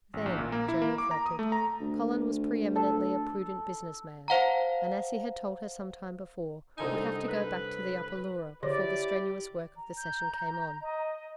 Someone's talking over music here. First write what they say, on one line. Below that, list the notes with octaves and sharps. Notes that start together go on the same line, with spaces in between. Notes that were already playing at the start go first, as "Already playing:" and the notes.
Then, Joan reflected, Colin was pre-eminently a prudent business man, and, as he had told her some time before, would have to go back to the Upper Leura before the strenuous work of the Session came on.
A1
A#1
A#2
A#3
E4
A#3
D6
A#5
D#6
A3
A#5
D2
A4
C5 F5 F#5 A5 A#5
C2 D3 D#4 G#5
B4
D3 E4 G4 G#4 C#5 D5
A#5
G6
D#5